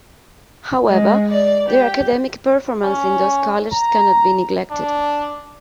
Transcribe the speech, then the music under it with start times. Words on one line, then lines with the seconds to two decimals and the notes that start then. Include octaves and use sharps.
However, their academic performance in those college cannot be neglected.
0.86 G#3
1.29 D5
1.68 G4
2.83 C#4
3.72 A#5
4.71 D4